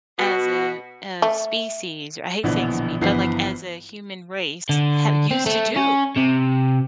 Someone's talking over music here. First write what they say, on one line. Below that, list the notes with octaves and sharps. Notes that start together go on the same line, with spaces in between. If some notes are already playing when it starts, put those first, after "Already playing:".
as a as species or I hate saying spe but, like, as a human race have used to do,
B2 B3 F#4
A3
A#1 B2 D3 E3 F3
G1 E3 F3 B3 C7
D3
C4
A3
C#4
C3